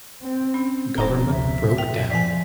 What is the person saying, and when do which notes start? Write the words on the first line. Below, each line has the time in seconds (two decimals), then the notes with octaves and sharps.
Government broke down.
0.23 C4
0.54 C#4
0.98 D1 F2 C5 A#5
1.31 C#2 E5
1.78 A#2 G5
2.10 F3 D5 G#5 B6